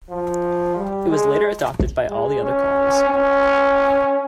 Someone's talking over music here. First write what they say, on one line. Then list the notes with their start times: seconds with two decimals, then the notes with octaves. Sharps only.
It was later adopted by all the other colonies.
0.10 F3
0.77 G3
1.10 G#3
2.10 G#3
2.43 C#4
3.10 C#4